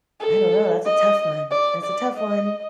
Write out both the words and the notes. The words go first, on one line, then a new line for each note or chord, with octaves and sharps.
I don't know. That's a tough one. That's a tough one,
A4
D#5
D5
D5
D#5